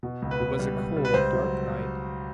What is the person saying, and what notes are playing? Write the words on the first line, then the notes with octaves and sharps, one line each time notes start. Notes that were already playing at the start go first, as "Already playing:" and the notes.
It was a cold, dark night.
B2
C#2
B4
B2
G3
G3
G3
B4
C#2 C5
F#3